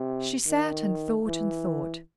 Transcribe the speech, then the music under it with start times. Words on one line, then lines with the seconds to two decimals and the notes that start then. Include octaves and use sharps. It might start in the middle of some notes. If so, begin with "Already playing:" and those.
She sat, and thought, and thought.
Already playing: C3
0.46 D#3
1.27 E3